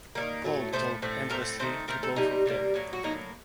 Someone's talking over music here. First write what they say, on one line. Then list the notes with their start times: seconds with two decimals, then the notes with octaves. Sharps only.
Paul talked endlessly to both of them.
0.15 G3 A#3
0.20 D#3
0.44 A2 F#3 A3
0.73 A2 F#3 A3 C5
1.02 A2 A3 C4
1.30 A2 A3 C4 A#4
1.59 D#3 A3 C4 C5
1.88 D#3 A3 C4 A#4
2.03 A4
2.16 C3 G3 A#3 D#4
2.46 C3 G3 A#3
2.74 A2 F#3 A#3
2.93 F#4
3.03 A2 F#3 A#3 D#4